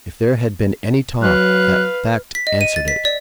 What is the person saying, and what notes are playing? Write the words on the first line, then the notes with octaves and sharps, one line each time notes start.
If there had been any talk that fact answered it.
F#3 B4 F5 F#6
B6
D#5
D#7
A6
B6
D5